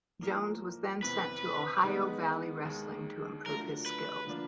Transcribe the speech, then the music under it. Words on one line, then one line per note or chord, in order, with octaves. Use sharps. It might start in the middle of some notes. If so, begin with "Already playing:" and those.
Jones was then sent to Ohio Valley Wrestling to improve his skills.
A2 F3 A#3
E2 C3 E3 B4
D#3 G#3 B3 D#4
D#2 D#3 G#3
D3 F#3 A3 D4 F4 A#4
B4
D3 F3 A#3 D4 F4